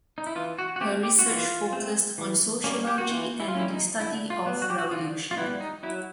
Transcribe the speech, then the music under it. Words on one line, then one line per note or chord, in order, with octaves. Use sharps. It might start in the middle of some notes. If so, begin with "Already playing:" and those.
Her research focused on sociology and the study of revolution.
D#4
E4
E3 F4
F#4
F#4
A3 C4 G4
G4
F#4
E3 F4
A3 C4
E3
G3 A#3 C#4
G4
F#4
E3 F4
E4
F4
G3 A#3 C#4 E4
D#4
D3 E4
F4
G3 B3
F#4
G4
F#4
D3 F4
F4
G3 B3 E4
D#4
F#3 E4